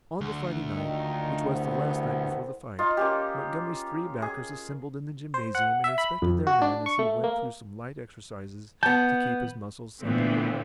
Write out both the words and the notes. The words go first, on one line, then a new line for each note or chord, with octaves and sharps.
On the Friday night, which was the last night before the fight, Montgomery's three backers assembled in the gymnasium and inspected their man as he went through some light exercises to keep his muscles supple.
D2
A#2 D#3
C2 B3 C5
D#4 F4
A#3 C#4 G4
G#4
C5
F#5
E5
B5
F2
F#4
D4
C#6
A3
A#3
B3 A5 G6
A#2 D3 E3 A3 B3 C4